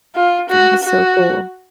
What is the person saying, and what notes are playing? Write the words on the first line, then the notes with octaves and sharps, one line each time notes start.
That is so cool.
F4
F#4
F#4